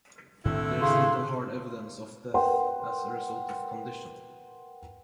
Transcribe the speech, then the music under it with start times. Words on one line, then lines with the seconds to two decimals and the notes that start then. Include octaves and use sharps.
There is little hard evidence of death as a result of the condition.
0.45 A2 D3 D#3 A3 C4 E4
0.81 C#3 C6
2.34 A#4 B4 F#5 G5 C6